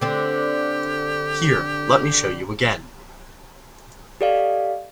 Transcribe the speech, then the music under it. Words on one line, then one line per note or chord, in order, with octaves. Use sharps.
Here, let me show you again.
D3 C4 G4
G4 A4 D5 D#5 F5